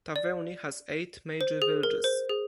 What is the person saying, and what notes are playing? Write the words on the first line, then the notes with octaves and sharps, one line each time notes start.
Taveuni has eight major villages.
D5
C5
G#4
A#4
C5
G#4